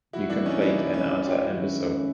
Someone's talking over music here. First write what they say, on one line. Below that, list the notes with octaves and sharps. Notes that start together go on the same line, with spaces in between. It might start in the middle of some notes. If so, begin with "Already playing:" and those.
You complete and utter imbecile.
C3 E3 G3 E4 F#4
D4 E4
C#4 D#4
D4 E4
D4
C#4
D4
F4 G4
D#3 G#3 C#4 E4 F#4